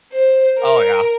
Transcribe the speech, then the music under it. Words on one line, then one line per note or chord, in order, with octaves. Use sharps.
Oh, yeah.
C5
A#4